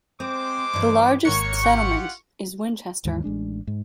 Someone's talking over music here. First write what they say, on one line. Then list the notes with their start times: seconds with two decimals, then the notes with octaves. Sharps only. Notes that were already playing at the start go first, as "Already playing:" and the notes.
The largest settlement is Winchester.
0.20 G#3 C4 C5 D6
0.73 G2 E3
1.25 G#1 A#3 A#4 C#5 C#6 F#6 C#7
1.63 F4 G4 F#5
3.05 D#2 G#2 E3
3.24 A1 G#3 D4
3.67 G#2